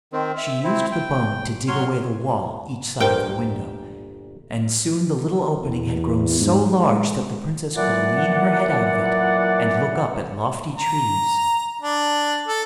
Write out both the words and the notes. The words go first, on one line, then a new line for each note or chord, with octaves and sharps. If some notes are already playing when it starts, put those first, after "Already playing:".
She used the bone to dig away the wall each side of the window and soon the little opening had grown so large that the princess could lean her head out of it and look up at lofty trees.
D#3 C4
E5
C4 E4
G5
F#3 C#5 C6 F6
G1 D2 A#2 A#4 C5 G5
E2
G#2
G#3
A#2 E3 F#3 D5 F#5
A#5
D4
A4